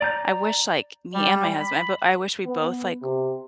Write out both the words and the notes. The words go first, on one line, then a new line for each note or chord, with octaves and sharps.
I wish, like, me and my husband, I b I wish we both, like, w
D5 A#5 G6
G3
B5
B3
C3